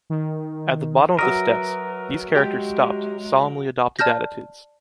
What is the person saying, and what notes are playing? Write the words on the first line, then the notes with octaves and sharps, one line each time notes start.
At the bottom of the steps, these characters stopped, solemnly adopted attitudes.
D#3
F#3 A#4 B4 E5 D#6
G#3 G4 G5
D5 A5 F6 G6 A#6